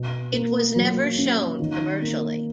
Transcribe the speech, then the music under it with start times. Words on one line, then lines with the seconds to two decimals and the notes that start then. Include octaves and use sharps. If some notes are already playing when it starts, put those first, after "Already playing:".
It was never shown commercially.
Already playing: B2
0.33 A#3
0.76 F#3
1.18 C#4
1.60 D#3
2.02 A#3